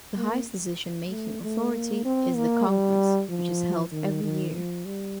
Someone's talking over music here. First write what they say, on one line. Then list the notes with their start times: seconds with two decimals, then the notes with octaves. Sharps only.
The highest decisionmaking authority is the congress, which is held every year.
0.17 A#3
1.11 A3
1.43 A3
1.73 A#3
2.05 C4
2.36 A#3
2.67 G3
3.30 F3
3.92 D#3
4.23 D#3
4.55 F3
4.86 G3